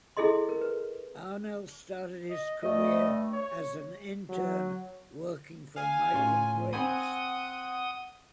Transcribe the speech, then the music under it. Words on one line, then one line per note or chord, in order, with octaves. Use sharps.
Arnell started his career as an intern working for Michael Graves.
E4 G#4 A4 D#5 C6
A#4
B4
D#5
G2 A3 D#5
C#5
F#3
F5 G#5
A2 C#4 F4
C4 F#5 G#5 B5 D#6